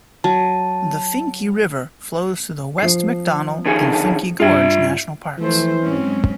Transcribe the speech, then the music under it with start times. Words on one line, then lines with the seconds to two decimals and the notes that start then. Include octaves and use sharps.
The Finke River flows through the West MacDonnell and Finke Gorge National Parks.
0.24 F#3 A5
2.78 F3 C7
3.66 D3 D#3 G#4
4.40 G2 F4 E5
5.39 E3 F3 A3 C5
5.83 G#2 F#3 C4 C#4